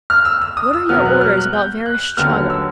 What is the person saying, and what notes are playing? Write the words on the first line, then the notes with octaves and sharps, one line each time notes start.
What are your orders about Vereshchagin?
F6
E6
E6
D#6
E6
E2 B2 F#3 B3 F6
F#6
F6
F#6
G6
F#6
D#2 D3 F#3 B3 F6
E6